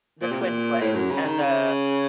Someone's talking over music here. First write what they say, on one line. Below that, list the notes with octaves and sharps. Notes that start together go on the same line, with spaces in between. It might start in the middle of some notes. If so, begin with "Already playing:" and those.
the twin flame, and the
A#2
C3
A#2
A2
F#2
C#3
D#3
C#3